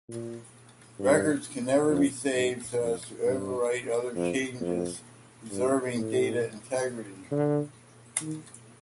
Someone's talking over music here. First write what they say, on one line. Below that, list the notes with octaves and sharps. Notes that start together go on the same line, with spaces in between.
Records can never be saved so as to overwrite other changes, preserving data integrity.
A#2
G2
F2
G2
F2
G2
F2
F2
G2
A2
D3
D#3